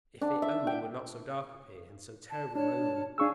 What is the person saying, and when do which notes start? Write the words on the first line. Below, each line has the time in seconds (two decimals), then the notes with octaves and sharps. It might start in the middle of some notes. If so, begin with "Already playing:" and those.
If it only were not so dark here, and so terribly lonely!
0.21 D4
0.42 E5
0.67 G5
2.29 A5
2.55 D4 C#5 A5 F6
3.18 D4 G#4 F5 G#5 C#6 E6